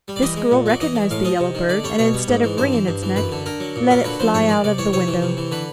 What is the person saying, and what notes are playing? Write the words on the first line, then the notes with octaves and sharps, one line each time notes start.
This girl recognized the yellow bird, and instead of wringing its neck, let it fly out of the window.
G3
D5
E3 D#5
G#3
A#2
F#3 D5
E3 D#5
G#3
A2 F5
F3 D#5
C3
D#3
D3 D5
G3 C#5
B2 C#5
G3
G#2
E3
G2 C5
E3
G2
E3
F#2 B4
D3
D3 A#4
F#3
A#2
F#3 A#4
D3 B4
F3 C5
G#2 C#5
D#3 D5
C3 D5
E3 C#5
C3 C#5
E3
C3
E3
D3 B4